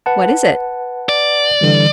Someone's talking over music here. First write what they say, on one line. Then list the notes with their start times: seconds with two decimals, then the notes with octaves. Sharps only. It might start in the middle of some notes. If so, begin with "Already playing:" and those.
"What is it?"
0.06 B4 F#5 A5
1.09 D5
1.61 D3 E3 G3